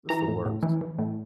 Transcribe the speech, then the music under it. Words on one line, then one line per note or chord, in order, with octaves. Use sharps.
It's the worst.
E3 A#5
A2
A2
E3
E3
A2